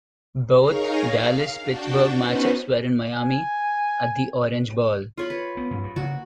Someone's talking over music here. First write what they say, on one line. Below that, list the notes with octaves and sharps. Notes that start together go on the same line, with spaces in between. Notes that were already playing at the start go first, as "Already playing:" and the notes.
Both Dallas-Pittsburgh matchups were in Miami at the Orange Bowl.
D#4 G#4 A#4 C#5 F5 A#5
F5
D4 F#4 G5 A5
B3 C#4 D#4 F#4 B4 C5
G#5
F4 C#5 B5
B4
B3
G2 F#3 C#4
G2
C#3 A#3 F#4